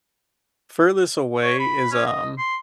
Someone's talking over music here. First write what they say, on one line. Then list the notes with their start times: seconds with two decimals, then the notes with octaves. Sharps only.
furthest away is, um,
1.43 C#5
1.59 B5
1.91 C#4
2.06 D#5
2.38 C6